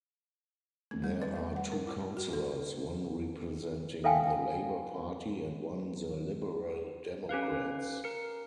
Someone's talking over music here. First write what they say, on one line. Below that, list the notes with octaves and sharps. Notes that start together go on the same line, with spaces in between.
There are two councillors, one representing the Labour Party and one the Liberal Democrats.
A3
G3
B4
G3
F#5
A#4
E4
F#4
A4
A4 E5 F5 G5 G#5
C#4 G4 B4 F5
A#4 C#7